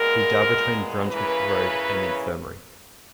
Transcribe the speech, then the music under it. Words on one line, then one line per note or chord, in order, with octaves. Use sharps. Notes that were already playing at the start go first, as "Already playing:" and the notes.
He died between Brunswick Road and the Infirmary.
Already playing: A#2 G#3 B3 A#4
C#3 E3 A#3 C#4 B4